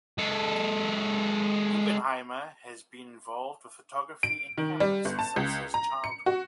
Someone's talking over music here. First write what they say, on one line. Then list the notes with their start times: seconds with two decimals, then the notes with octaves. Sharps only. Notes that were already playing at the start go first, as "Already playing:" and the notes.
Guggenheimer has been involved with photography and cameras since his childhood.
0.18 G#3 A4
4.23 D7
4.58 D#3
4.80 G3
5.05 G1
5.19 A5
5.36 C#2
5.74 A#5
6.04 C#7
6.26 F#4